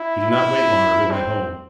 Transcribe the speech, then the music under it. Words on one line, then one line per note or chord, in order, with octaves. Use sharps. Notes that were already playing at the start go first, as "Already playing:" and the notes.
He did not wait longer but went home.
Already playing: E4
E4
C4